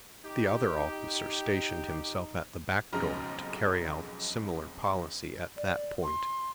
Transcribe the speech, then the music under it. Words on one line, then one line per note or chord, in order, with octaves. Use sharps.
The other officer stationed himself at the back door, to carry out a similar policy at that point.
D#4 G4
B1 F2 C#3 G#3 A#5 F6
D5
C6